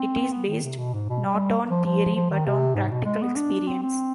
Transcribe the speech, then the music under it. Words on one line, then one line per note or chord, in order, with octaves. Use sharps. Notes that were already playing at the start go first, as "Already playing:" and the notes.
It is based not on theory but on practical experience.
Already playing: C4
B3
D#3
C3
B2
G#2
B2
G3
F3
F3
F3
D#3
C3
G#2
B2
G#3
B3
D4
C4
C4